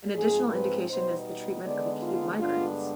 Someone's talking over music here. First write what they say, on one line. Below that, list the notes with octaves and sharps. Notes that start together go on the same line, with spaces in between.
An additional indication is the treatment of acute migraines.
G#2 F3 G#3 C4 G#4
B4
B2 G3 B3 D#4 C5
D3 G#3 B3 D#4 D5
F4
G2 D3 G#3 B3 D4 F4